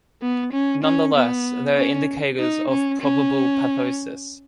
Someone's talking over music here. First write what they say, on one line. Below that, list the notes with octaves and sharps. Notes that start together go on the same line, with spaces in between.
Nonetheless, they are indicators of probable pathosis.
B3
C#4
C#4
B3
C#4
D#4
C#4
C#4